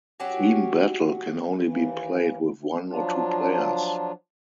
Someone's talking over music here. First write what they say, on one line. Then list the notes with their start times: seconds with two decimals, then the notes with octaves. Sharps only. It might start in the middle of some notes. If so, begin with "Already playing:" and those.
"Team Battle" can only be played with one or two players.
0.20 F#3 C#4 F#4 G4
1.61 D#2 E3
2.88 F3 F#3 D4 F4